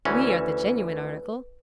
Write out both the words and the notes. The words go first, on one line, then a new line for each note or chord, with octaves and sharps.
"We are the genuine article."
D2 E3 C#4
B4